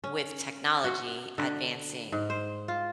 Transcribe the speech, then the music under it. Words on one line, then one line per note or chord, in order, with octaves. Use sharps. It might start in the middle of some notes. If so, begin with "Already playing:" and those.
with technology advancing,
C#4
F#4
D3
G#2
C5
F4